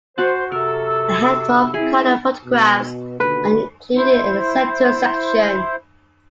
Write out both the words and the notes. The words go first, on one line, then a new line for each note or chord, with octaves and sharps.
A handful of color photographs are included in a center section.
F#4 C5 F#5 A5
C3 F#4 A4 A#4 E6
C4 E4 G#4
B2
D#2 B2 D3 B4
E4 C5